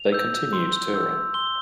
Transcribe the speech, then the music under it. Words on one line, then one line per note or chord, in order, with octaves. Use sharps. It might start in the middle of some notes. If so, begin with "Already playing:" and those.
They continued touring.
Already playing: F7
E6 G6
C6
E6 G6
C6 G7